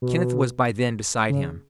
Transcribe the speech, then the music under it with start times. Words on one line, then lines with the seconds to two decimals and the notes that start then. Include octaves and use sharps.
Kenneth was by then beside him.
0.02 B2
1.30 C#3